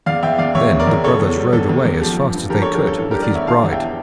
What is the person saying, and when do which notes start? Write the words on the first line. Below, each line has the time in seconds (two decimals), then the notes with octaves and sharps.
Then the brothers rode away as fast as they could, with his bride.
0.06 E2 D5 F5
0.23 E2 E5 G5
0.39 E2 D5 F5
0.55 E2 C#5 E5
0.71 E2
0.80 A#4 D5
0.87 E2
1.04 C#3 A4 C#5
1.20 E2
1.36 G3
1.53 E2 A4
1.69 E2
1.85 E2
2.01 F3 G4
2.17 F3
2.33 G2
2.50 F3 G4 A#4
2.62 F3 A4 C#5
2.74 G4 A#4
2.82 G2 A4
2.99 E3 A4
3.11 G4 A#4
3.15 G3
3.23 A#4 D5
3.31 E2 C#5 E5
3.47 E3 F5 A5
3.63 E2
3.72 E5 G5
3.80 E3